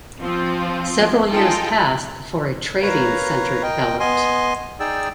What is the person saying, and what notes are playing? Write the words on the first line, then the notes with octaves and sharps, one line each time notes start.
Several years passed before a trading center developed.
F3 C4 F4
D#4 F4 G#4 A4 G5
A#4 B4 C#5 F5 A#5
A#4 D#5 G5
B3 D#5 G#5 C6
D#4 G#4 D5 G5 E6